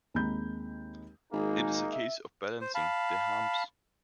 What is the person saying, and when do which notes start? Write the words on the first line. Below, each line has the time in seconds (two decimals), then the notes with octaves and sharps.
It is a case of balancing the harms.
0.14 D#2 G#3 C4 A#5 B5 G6
1.33 G#1 G#3 A#3 D#4 G#4
1.92 E5
2.61 C5
2.75 F5 A5 B5